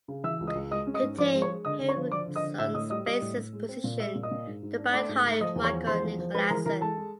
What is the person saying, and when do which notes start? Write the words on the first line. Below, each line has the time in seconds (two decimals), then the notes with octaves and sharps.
To take Henriksson's bassist position, the band hired Michael Nicklasson.
0.08 C#3
0.24 E3 E5 E6
0.40 C#2
0.47 D#5 D#6
0.55 C#2
0.71 G#3 D#5 D#6
0.87 C#4
0.94 D#5 D#6
1.03 G#2
1.18 F3 D5 D6
1.34 G#3
1.42 C#5 C#6
1.49 G#3
1.65 D3 D#5 D#6
1.80 D3
1.89 C#5 C#6
1.97 F3
2.12 F3 D5 D6
2.27 D3
2.36 D#5 D#6
2.43 D3
2.59 A2 E5 E6
2.74 A2 D#5 D#6
2.90 G3 D#5 D#6
3.06 G3 D#5 D#6
3.22 A2
3.37 A2
3.53 G#3
3.69 C4
3.84 A#2
3.99 G#3 E5 E6
4.15 A#2
4.23 D#5 D#6
4.31 A#2
4.47 G#2
4.63 G#2
4.78 D4
4.93 A3 D5 D6
5.09 G#2
5.25 A3
5.41 F3 D#5 D#6
5.56 E2
5.64 C#5 C#6
5.71 F3
5.87 E2 C5 C6
6.03 F3
6.19 F3
6.34 G#3 B4 B5
6.50 E3 A#4 A#5
6.65 E3 A#4 A#5
6.81 G#3 A4 A5
6.97 G#3